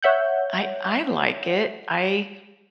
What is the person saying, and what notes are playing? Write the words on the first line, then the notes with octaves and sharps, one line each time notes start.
I I I like it. I
C#5 E5 F#5 G6